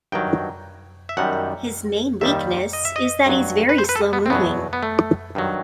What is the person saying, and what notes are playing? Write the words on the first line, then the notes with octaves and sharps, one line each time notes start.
His main weakness is that he's very slow moving.
G2 D#3 F#3 G5
E5
F#2 D#3 G3 F#5
D#2 D#3 G3 E5
D#5
E5
D#5
G2 F#3
B4
C5
B4
A4
B3
C4
E2 B2 F#3 B3
B3
A3
G2 D#3 F#3